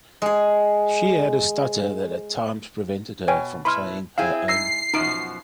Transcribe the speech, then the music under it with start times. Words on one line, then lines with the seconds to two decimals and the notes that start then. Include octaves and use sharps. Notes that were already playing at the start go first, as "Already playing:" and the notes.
She had a stutter that at times prevented her from saying her own name.
0.22 G#3 G#4
3.28 B2 C#5 G5 G#5
3.65 B2 E4 B4 B5 C6 F6
4.18 C4 E4 G#4 F5
4.48 G#2 E6 A#6 C7
4.94 F#2 B2 F3 D#4 D7